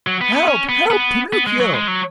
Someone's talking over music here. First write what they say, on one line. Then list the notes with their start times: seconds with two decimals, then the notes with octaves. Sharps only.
"Help, help, Pinocchio!"
0.07 F#3
0.21 B3
0.35 B3
0.48 C#4
0.69 B3
0.90 B3
1.33 B3
1.47 G#3
1.60 F#3
1.73 G#3
1.88 F#3